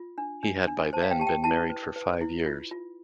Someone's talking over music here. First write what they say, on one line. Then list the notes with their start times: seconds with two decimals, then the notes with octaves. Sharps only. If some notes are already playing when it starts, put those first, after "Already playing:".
He had by then been married for five years.
Already playing: F4
0.18 D4
0.43 D4
0.67 D4
0.93 C5 A5
1.02 F5
1.11 G5
1.19 G4 A5
1.27 G5
1.44 E4 A5
1.70 B4
1.96 B4
2.21 E4
2.46 F4
2.71 F4